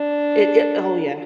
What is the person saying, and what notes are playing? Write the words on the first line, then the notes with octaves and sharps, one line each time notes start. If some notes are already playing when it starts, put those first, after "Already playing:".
It it Oh, yeah.
Already playing: D4